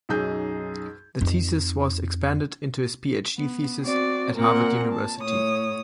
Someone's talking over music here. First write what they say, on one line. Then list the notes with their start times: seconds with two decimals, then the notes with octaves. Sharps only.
The thesis was expanded into his Ph.D. thesis at Harvard University.
0.09 B1 F#2 D#4 G#4 G6
1.21 F2 D#4
3.38 B3
3.83 C4 F#4 D5
4.34 A#2 C4 A#4 F#5
4.91 A5
5.20 A2 C#5 D#6